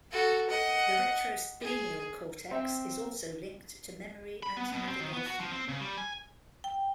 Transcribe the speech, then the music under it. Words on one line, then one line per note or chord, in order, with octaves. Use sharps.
The retrosplenial cortex is also linked to memory and navigation.
F#4 A4
D#5 F#5
G#4
C4 E5 G5
B5
B3
B2
C4
D#3
B3
F#4
F3
C4
C#3
G3
G#5
G5